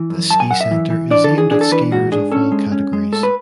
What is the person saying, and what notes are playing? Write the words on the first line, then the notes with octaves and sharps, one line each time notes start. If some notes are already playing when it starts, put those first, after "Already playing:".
This ski center is aimed at skiers of all categories.
Already playing: E3
F#2
F#2 A5
G#5
F#2 F#5
E5
E3
E3
D4 D5
A4
E3
G#4
D4 G#4
A4
E3 B4
G#2 F#4
D4 G#4
C#4 A4
G#3
C#4
G#3
A2 A4
B4